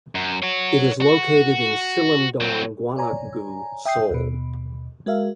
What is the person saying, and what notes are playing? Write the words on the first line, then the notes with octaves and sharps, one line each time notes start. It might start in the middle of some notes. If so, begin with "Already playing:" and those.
It is located in Sillim-dong, Gwanak-gu, Seoul.
F#2
F#4 C#5
F#4
F#3 C4
C#5 D5 G#5 A#5
E5 G5 D#6 G6 C7
D#2 B2
G#3 F#4 A#4 E5 F5